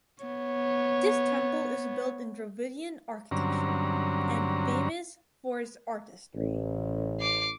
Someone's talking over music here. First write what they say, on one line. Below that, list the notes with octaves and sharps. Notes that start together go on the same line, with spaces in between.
This temple is built in Dravidian architecture and famous for its artistry.
B3 C#5
G2 D3 F#3 C4 C#4 A#5
A1
D6 C7